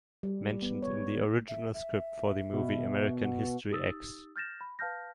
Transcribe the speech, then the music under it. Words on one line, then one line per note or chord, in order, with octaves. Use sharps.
Mentioned in the original script for the movie American History X.
G3
B3
C#5
E5
E5
B2
F#5
D#4 G4 D#6 E6 A6
F6 G6 A6 A#6 E7
B5
B4 F5 A5 F6 G6 A#6